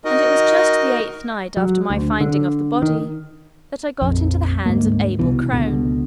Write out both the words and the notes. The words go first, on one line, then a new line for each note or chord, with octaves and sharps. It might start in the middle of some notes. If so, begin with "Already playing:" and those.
And it was just the eighth night after my finding of the body that I got into the hands of Abel Crone.
D#4 F#4 A#4 D#5
F#3
D2
D3
D#3
A#1 F2
D2 G#2 A#3
C2 B2 E3
C#2 B2 D3